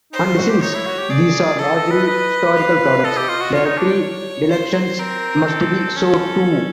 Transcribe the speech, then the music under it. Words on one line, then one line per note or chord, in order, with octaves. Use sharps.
And since these are largely historical products, the predilections must be so too.
D#4 C5
F4
F#4
G4
D#4 C#5
E4
F#4
G4
G#4 D5
A4 D#5
A4
B4
B4
F5
A4 D#5
G4
F4
F#4
F4 C#5
D#4
D4
C5
C4 A#4
A4
C#4